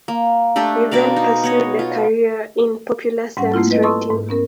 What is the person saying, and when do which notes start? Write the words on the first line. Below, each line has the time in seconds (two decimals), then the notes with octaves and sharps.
He then pursued a career in popular science writing.
0.08 A#3
0.56 A3 D4 G4 A4
0.91 B2 A#4 D5 F5
1.16 D#4
1.43 B3 C#5 D#5
1.79 F4
3.37 G#2 G3 C#4 F#5
3.54 A3 A#3 C4 E4 F4
3.71 B4 D#5
3.83 A4 A5 C6 C#6 D#6 E6
4.11 G#2
4.29 B3 C#4 A#4